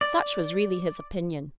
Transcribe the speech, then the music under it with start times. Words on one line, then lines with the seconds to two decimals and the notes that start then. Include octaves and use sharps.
Such was really his opinion.
0.01 D5